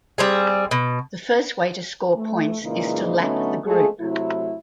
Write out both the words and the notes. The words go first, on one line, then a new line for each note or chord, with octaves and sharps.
The first way to score points is to lap the group.
G3 C4 G#4
B2
A3
A#2 C#3 E3 G#3 A#3 D#4
D3 F#3 A3 B3 C#4 D#4
G#3 A3 F4 G#4
C3 F#3 A3 E4